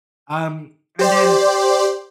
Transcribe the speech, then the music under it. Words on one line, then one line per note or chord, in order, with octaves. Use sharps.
Um, and then
G4 C5 D5